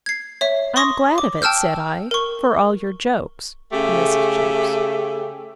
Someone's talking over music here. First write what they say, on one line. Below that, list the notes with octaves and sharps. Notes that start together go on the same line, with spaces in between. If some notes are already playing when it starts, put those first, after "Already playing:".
I am glad of it, said I, for all your jokes, to Mrs. Jewkes.
G#6 C7
C#5 E5
C6 C#6 D#6 A#6
D6
G5 A5 E6 F6 G6
A#4 C#6
C#3 A3 G4